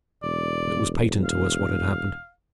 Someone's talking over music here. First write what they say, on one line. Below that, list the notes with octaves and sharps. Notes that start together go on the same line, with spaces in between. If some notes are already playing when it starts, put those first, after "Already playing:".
It was patent to us what had happened.
E1 D5
F5